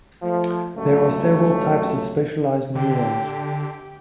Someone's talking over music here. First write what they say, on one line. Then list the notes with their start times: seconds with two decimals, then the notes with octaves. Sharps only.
There are several types of specialized neurons.
0.22 F3 A3
0.76 C#2 G2 F#3 A3
2.75 D3 G4